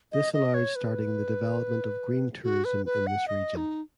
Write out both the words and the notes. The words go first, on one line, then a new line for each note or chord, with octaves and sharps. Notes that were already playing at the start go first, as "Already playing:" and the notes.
This allowed starting the development of green tourism in this region.
D#5
D#5
C#5
B4
F#4
B4
B4
F#5
D#5
D#4